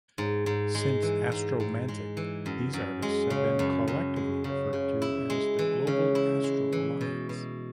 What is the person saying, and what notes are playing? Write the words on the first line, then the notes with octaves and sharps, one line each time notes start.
Since "Astromantic", these artists have been collectively referred to as the Global Astro Alliance.
G#2
G#2
G#3
E3
G#2
G#2
G#3
E3
F#2
F#2
G#3
C#3
F#2
F#2
G#3
C#3
C#3
E4
G#3
E3
C#3
E4
G#3
E3
B2
B2